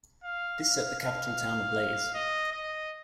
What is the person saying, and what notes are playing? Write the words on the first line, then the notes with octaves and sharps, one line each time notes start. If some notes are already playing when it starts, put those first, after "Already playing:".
This set the capital town ablaze.
F5
F5
F5
D#5
D#5